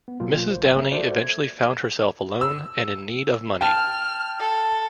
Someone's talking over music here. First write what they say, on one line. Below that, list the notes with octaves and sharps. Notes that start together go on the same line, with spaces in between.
Mrs Downing eventually found herself alone and in need of money.
B3
G1 B2 F#3 A#3 F4
G1 C5
A#3 C5 C#5 E5
F#4 A4 B4 C5 D5 E5
G#6
E6
G5 A5 F6
A4